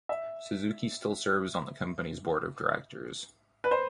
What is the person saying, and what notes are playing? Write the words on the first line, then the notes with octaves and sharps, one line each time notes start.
Suzuki still serves on the company's board of directors.
E5
B4
C5